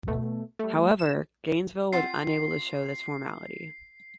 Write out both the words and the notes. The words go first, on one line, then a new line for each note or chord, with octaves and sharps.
However, Granville was unable to show this formally.
B2 A3
G3 A3
E7
C4 F4 F#5 C7